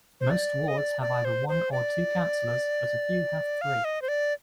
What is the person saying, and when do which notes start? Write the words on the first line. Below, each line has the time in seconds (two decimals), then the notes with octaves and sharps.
Most wards have either one or two councilors, but a few have three.
0.21 C5
0.30 D5
0.68 D#5
0.78 D5
1.02 D5
1.25 C5
1.49 C5
1.72 D5
3.61 F5
3.85 D#5
4.02 C5
4.08 D5